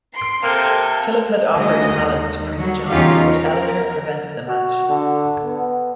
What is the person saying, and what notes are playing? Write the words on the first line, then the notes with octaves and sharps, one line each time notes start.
Philip had offered Alys to Prince John, but Eleanor prevented the match.
C6 C7 D7
C3 A#3 A4 G6 G#6
D2 D#3 G#3 D#5
D#2
F#3 G3
E2 C#4 D#4 F4 G4 F5
A#4
F#4
D3
B3